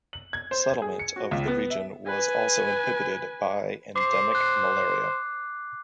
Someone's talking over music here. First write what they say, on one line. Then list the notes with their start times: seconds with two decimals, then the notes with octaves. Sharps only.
Settlement of the region was also inhibited by endemic malaria.
0.13 F#7
0.33 G#6
0.51 C5
0.70 G#6
0.82 G#4
0.99 C#7
1.16 F#4
1.31 C#2
1.48 B3
1.70 E5
2.07 B4 G#5
3.96 C5 D6 C7
4.35 F#6